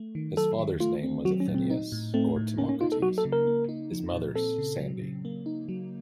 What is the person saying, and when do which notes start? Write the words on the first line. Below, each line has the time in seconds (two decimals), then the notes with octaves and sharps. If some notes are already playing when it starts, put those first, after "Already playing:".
His father's name was Athenaeus or Timocrates, his mother's Sande.
Already playing: A3
0.15 D#3
0.37 F#3 A4
0.59 D#3
0.80 A3 F4
1.03 C4
1.25 F#3 F#4
1.40 C#4
1.48 A#2
1.55 C4
1.70 D#4
1.92 A2
2.14 A3 C4
2.36 A2
2.58 A#3 C#4
2.69 C#4
2.80 D#4 F4
2.92 A4
3.02 F#3 F#4
3.18 A4
3.25 C#3
3.33 A#4
3.47 A#3
3.69 D#4
3.92 F3
4.14 A#2
4.35 C4 A4
4.58 C#3
4.80 F#3
5.02 C#3
5.25 A#3
5.46 D#4
5.69 F#3